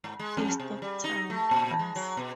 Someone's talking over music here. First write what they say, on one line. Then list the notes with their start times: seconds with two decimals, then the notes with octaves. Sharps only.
East of town, Bus.
0.04 G#2
0.19 G#3
0.37 F2
0.60 C3
0.82 G3
1.04 D#4
1.30 A3
1.51 A#2
1.79 G#3
1.96 F#3
2.17 B2